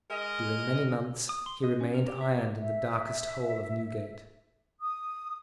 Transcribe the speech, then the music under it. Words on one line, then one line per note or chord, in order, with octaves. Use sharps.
During many months he remained ironed in the darkest hole of Newgate.
G#3 A#4 D#5
D#6
C6
D#5
C#4
A#4
G4
E5
G4
E5
D#6